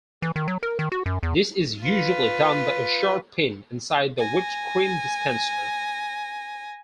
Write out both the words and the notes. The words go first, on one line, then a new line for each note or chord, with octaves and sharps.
This is usually done by a sharp pin inside the whipped cream dispenser.
E3
D#3
F#3
A#4
D#3
F#4
F#2
E2
F4 B4
G#5 A#6